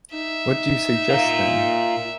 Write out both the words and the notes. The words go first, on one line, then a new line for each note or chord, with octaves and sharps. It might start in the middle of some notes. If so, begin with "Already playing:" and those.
What do you suggest, then?
D#4 E5
F4 A#4